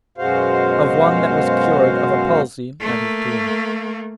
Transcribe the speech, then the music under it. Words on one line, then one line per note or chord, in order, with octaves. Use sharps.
Of one that was cured of a palsy at his tomb.
F#2 B2 G#3 F#4 C5 F5
A3 A#3